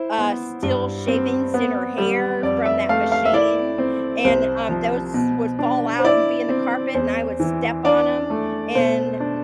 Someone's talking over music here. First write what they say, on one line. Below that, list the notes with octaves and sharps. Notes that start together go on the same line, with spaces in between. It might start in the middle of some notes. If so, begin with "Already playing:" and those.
uh, steel shavings in her hair from that machine, and, um, those would fall out and be in the carpet, and I would step on 'em, and, n
Already playing: E4 C5
B3
G2
C4
B3
G3
F2 D5
E5
A3 F5
F5
E5
E4 D5
C4
C2 C5
F3
B2
D4
C5
E4 D5
C4
E2 C5
E3
D4 D5
A3
B2 C5
D4